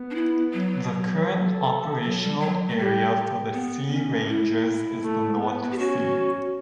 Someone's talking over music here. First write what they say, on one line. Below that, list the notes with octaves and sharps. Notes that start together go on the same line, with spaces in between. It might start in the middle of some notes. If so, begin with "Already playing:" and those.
The current operational area for the Sea Rangers is the North Sea.
Already playing: B3
D4
E4
F#3
A4
F#3
G3
F#3
A3
G3 G4
B3
C#4
E4
A3
B3
G4
C#4 F#4